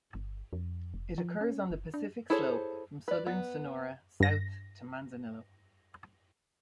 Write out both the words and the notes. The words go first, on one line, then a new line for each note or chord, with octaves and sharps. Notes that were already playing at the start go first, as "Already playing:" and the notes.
It occurs on the Pacific slope from southern Sonora south to Manzanillo.
G1
F2
F1
F3
C#4
F#1
D4
E4 G#4 A4 C5 C#5
B4 D5
B3
G2 A#6